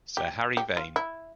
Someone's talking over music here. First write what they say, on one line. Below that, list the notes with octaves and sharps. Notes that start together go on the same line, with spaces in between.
Sir Harry Vane!
G4
G4
F4
E4